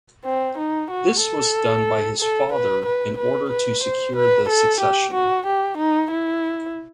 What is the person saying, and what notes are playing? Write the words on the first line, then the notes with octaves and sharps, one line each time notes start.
This was done by his father in order to secure the succession.
C4
D#4
F#4
A4
A4
B4
B4
B4
B4
C5
B4
A4
G4
F#4
G4
D#4
E4